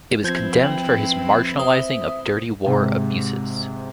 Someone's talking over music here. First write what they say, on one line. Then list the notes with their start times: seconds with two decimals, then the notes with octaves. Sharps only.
It was condemned for his marginalizing of Dirty War abuses.
0.24 F3 C4 E4 B4 G6 G#6
0.64 G5 F#7
1.59 C5 E5 D#6
2.66 G#2 C3